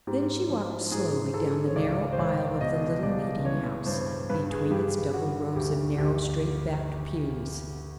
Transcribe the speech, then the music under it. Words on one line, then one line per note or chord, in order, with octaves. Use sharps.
Then she walked slowly down the narrow aisle of the little meeting-house, between its double rows of narrow straight-backed pews.
G#2 G4
F3
G#2 G#4
G#2 A4
C#5
C#2 D5
C5
C#2 C#5
B2 D#5
C#2 D5
E3 C#5
G2 C5
G2 B4
G#4
G2 G4
D3 F#4
D2 G4
D2 G4